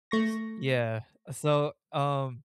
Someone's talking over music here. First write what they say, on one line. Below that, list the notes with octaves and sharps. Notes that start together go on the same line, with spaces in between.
S yeah, so, um,
A3 C#6 A#6